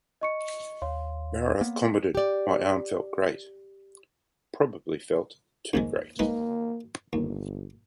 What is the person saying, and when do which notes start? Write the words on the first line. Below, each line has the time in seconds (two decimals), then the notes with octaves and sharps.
Maroth commented My arm felt great...Probably felt too great.
0.21 D#5 C#6 C#7
0.82 D#2 C#5 F5 C6
1.61 A#3 B3
2.15 G4 D5
5.73 D#2 G#2 G#3
6.19 G#3 A#3 D#4 B4
7.13 G1 D#2